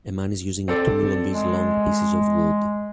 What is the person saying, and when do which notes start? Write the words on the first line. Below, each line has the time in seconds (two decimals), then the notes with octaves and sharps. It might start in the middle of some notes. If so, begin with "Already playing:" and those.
A man is using a tool on these long pieces of wood.
0.68 C4 A4 D5
1.31 G#3